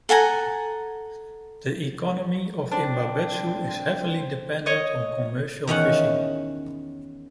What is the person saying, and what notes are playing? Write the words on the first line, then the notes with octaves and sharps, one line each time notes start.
The economy of Imabetsu is heavily dependent on commercial fishing.
A4 F#5 G#5 A#5
C4 D4
C#5 D#5
E2 D#3 C#4 F#5